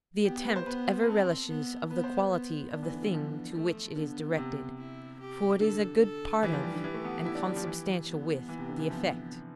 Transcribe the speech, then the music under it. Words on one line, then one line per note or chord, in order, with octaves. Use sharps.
The attempt ever relishes of the quality of the thing to which it is directed, for it is a good part of, and consubstantial with, the effect.
B3 G4
G4
B4
C5
B3 B4
B4
C4 A4
B3
B3 B4
C5
B4
B3
B3 D4
E3
D3
D3
F3
A3
D3 B3
C3
E4
G4
D3 A4
A4
E3 G4
F3
G3
D3
E3
A3
B3
E4
D4
G3
F3
E3
B3
E3
C3
D3
E3
F3 B3